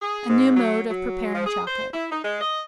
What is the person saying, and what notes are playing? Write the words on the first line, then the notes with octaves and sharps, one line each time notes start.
A New Mode of Preparing Chocolate.
G#4
G#2
F#3
F#3
F3
G#4
C5
E4
D#4
G#3
D#5